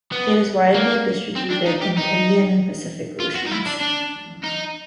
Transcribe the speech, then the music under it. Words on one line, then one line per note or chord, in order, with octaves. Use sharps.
It is widely distributed in the Indian and Pacific Oceans.
B3
A#3
C4
D4
D#4
G4
D#4
F4
F#4
D#4
E4
D4
D4
D#4